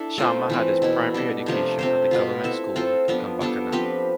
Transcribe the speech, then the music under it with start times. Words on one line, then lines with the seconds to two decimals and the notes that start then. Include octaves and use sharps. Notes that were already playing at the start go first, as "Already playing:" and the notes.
Sharma had his primary education at the Government School in Kumbakonam.
Already playing: D4 E4 A4 E5
0.18 A3 C4 F4 C5
0.50 E3 A3 C4
0.82 B2 A3 E4
1.14 G3 D4 A4
1.46 C3 F3 A3 D4
1.79 C4 G4 C5
2.11 B2 B3 F4
2.44 C4 E4 A4 E5
2.76 C4 F4 A4 C5
3.08 F3 B3 D4
3.41 G3 B3 D4 A4
3.72 F3 C4 G4 B4